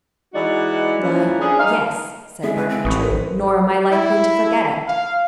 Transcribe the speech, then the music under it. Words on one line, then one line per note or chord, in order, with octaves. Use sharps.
"Why, yes," said Barnaby True, "nor am I likely to forget it."
E3 G#3 D#4 F#4 D5
E3 F3 A#3 C#4
C#4 D4 G#4
D#4 F5
G#3 E4 G#4 E5
B4
C4
A1 B5 C#6 D#6
B4 C5
E4
F5